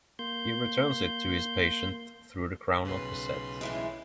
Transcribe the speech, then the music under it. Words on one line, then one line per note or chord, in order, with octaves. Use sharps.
He returns it to his patient through the crown of his head.
A#3 C6 G6
B1 C#3 B4 C6
A2 E3 G#3